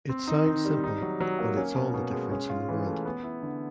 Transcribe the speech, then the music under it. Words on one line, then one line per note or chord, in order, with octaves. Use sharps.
It sounds simple, but it’s all the difference in the world.
C4
D#4
D#3
G3
D#4
F#3
F#3
A#3
C#4
B2
B2
G#3
C#4
F4
E3
A3
B3
E4
D3